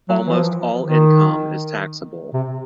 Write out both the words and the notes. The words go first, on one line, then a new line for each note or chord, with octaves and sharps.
Almost all income is taxable.
F#3
E3
F3
D#3
C3